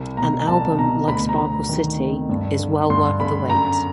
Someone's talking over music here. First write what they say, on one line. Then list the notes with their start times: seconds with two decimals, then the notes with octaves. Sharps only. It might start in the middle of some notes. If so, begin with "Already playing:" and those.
An album like "Sparkle City" is well worth the wait.
Already playing: C2
0.17 B2 A#5
0.47 C2 A5
0.78 B2 A#5
1.08 D2 B5
1.29 A#5
1.38 D2
1.69 D#3
1.99 C3
2.29 G2
2.59 D3
2.90 G2 C6
3.20 D3 B5
3.50 F#2 A#5